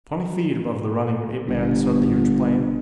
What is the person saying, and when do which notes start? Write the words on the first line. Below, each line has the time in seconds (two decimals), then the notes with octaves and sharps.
Twenty feet above the running ape-man soared the huge plane.
1.47 G1